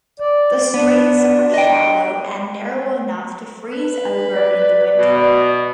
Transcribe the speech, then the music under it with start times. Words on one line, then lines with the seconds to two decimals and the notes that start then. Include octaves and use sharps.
The straits are shallow and narrow enough to freeze over in the winter.
0.20 D5
0.74 B3 D4
1.54 D#5 G5
3.72 B4
4.35 D5
4.97 B2